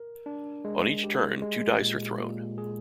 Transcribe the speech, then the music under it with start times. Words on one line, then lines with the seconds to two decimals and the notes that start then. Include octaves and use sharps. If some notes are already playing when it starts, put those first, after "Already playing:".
On each turn two dice are thrown.
Already playing: A#4
0.26 D4
0.65 G#3
1.04 G4
1.42 G#3
1.80 A#2
2.19 A#2
2.58 G#4